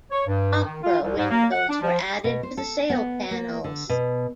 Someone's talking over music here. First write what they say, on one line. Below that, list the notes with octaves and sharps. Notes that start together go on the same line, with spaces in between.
"Opera" windows were added to the sail panels.
C#5
G2
D#3
F4
C2
G#2
A#3
F#5
D4
F3
B2
C5
A4
B3
A#3
D3
B2